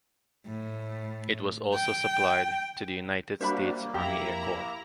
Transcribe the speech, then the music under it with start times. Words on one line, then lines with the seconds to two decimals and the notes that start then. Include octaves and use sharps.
It was also supplied to the United States Army Air Corps.
0.47 A2
1.74 G5
3.41 G3 A#3 D4 F#4 C5 E5 B5
3.94 F2 E4 G4 A#5